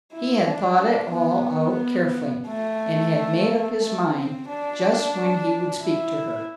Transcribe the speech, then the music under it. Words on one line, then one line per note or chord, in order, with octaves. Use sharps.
He had thought it all out carefully and had made up his mind just when he would speak to her.
E4
D4
D4
B3
A3
A3
C4
D4
E4